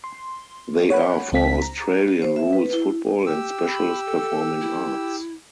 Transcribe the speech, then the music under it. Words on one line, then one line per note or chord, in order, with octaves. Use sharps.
They are for Australian rules football and specialist performing arts.
C6
C#5 F#5 B5
C#2 C4 B6
A#5
C5
E5
B4
E4
G4 E6
B5
A4
E4